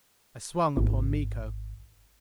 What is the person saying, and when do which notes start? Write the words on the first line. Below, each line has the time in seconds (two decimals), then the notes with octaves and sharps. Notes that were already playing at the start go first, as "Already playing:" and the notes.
I swung upon Miko.
0.77 G#1